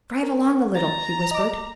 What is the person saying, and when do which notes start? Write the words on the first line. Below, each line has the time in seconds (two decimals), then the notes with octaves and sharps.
"Drive along a little," he whispered.
0.23 A#4
0.75 A#5 A6
1.31 D#5 D6